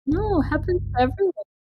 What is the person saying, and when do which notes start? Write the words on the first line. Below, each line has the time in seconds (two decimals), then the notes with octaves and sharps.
No, happens to everyone.
0.11 G1 C#2